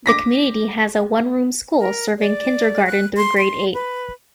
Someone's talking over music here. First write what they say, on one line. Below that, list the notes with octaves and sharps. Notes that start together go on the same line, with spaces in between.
The community has a one-room school serving kindergarten through grade eight.
D6 A#6 B6
A#4
D5
F#6
C6
C6
B4